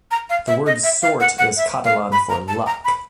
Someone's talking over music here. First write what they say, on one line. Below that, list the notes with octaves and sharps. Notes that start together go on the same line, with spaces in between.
The word "sort" is Catalan for "luck".
A#5
F5
E5
D#5
E5
F5
F#5
F#5
E5
F5
B5
A#5
A5
A#5
B5